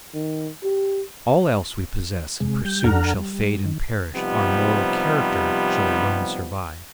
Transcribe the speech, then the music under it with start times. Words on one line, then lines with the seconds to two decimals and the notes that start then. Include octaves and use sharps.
All else we possess and pursue shall fade and perish, our moral character shall alone survive.
0.14 D#3
0.64 G4
2.40 C3 G#3
2.65 G3 G6
2.84 F2 D4 A4 F#5 A#5 F6
3.14 G3
3.65 D#3
4.14 C3 F3 G3 B3 D#4